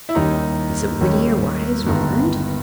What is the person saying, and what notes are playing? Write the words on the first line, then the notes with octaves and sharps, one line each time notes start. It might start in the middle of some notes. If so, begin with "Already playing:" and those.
Is it witty, or wise, or learned?
E4
D#2 D#3 G3 C#4 D#4
D#2 D#3 G3 C#4
G1 G2 D#3 G#3 B3